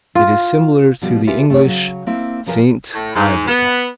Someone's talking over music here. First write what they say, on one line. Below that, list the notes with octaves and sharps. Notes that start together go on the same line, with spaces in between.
It is similar to the English Saint Ivel.
F4
B2 F3 G3 B3
F4 G4 A#4 B4 E5 G#5
A3 B3 D4 G#4 C#5
C#3 F#3
A#3 C4 E4
C3 F3 A#4 B4 G5 G#5
A2
G#2
B3